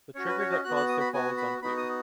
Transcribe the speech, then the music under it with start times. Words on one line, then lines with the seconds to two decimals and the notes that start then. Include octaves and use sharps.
The trigger that caused their fall is unclear.
0.15 C#4 F#4 C#5
0.28 B4
0.39 C#5
0.52 D#5
0.64 B3 F#4 F#6
0.76 F#6
0.89 D#6
1.00 B5
1.12 B3 F#4 G#5
1.37 B5
1.62 B3 D#4 F#4 B5
1.77 D#6